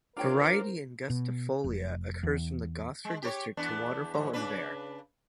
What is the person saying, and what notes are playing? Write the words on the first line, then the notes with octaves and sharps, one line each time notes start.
Variety "angustifolia" occurs from the Gosford district to Waterfall and var.
D4 F4 A#4 C5 C#5 G5 A#5
B2
F1
E2
G#3
G4 A#4 C#5
E2 B3 D4
E2 G#2
C#3 D4 B4